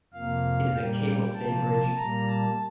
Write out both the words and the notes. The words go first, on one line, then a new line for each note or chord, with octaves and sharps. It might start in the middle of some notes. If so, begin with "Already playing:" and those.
It is a cable-stayed bridge.
F2 C3 F3 A#3 F5
A#2 G3 A#3 G5
C3 F3 A#3 A5
A#2 G3 A#3 A#5
A5